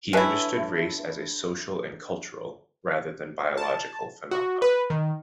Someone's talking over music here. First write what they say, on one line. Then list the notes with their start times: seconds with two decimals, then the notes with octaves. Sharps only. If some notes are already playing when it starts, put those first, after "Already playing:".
He understood race as a social and cultural, rather than a biological phenomenon.
0.13 D3 C#4 E4 B4 E5
3.57 A5
4.31 F#4
4.62 B4
4.90 D#3